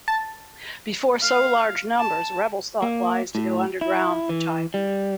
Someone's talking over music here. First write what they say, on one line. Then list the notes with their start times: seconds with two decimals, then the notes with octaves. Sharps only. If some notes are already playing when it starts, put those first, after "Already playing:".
Before so large numbers, rebels thought wise to go under-ground for time being.
0.08 A5
1.22 F5
1.98 A5
2.82 A#3
3.35 A2
3.81 E4
4.29 E3
4.74 G3